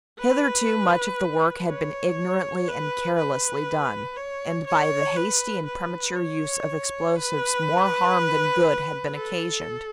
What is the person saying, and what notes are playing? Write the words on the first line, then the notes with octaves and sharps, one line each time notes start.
Hitherto much of the work had been ignorantly and carelessly done, and by the hasty and premature use of explosives more harm than good had been occasioned.
B4
C#5
B4
B4
C#5
C#5
B4
B4
C#5
B4
A4